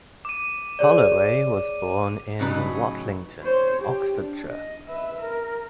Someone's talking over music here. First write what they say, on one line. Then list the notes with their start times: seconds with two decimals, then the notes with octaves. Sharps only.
Holloway was born in Watlington, Oxfordshire.
0.25 D6 D#7
0.79 G#4 C#5 D5
2.39 A2 C#3 F#3 D#4 B4
3.41 C5 C#5
3.81 G4
4.17 D4
4.49 D#5
4.87 B4 E5
5.19 A#4